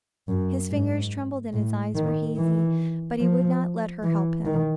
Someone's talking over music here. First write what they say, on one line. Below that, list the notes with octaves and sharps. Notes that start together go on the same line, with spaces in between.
His fingers trembled and his eyes were hazy, but he would not let her help him.
F#2
G#2
A2
D#3
E3
F3
E3
D#3